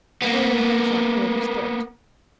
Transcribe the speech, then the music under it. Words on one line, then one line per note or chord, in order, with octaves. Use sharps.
William Henshaw cleared his throat.
A#3 B3